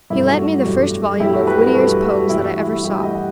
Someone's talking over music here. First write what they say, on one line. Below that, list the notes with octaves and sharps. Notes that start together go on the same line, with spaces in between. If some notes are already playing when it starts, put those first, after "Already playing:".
He lent me the first volume of Whittier's poems that I ever saw.
G2 F#3 A3 E4
F#4
F#4
G2 F#3 A3
G2 F#3 A3 E4 G4
F#4 A4
G4 B4
F#4 A4
G2 F#3 A3 F#4 A4
F#4 A4
G2 E3 A3 E4 G4
F#4
E4
F#4
G2 E3 A3 E4 G4
G5
D#5 F#5
F#5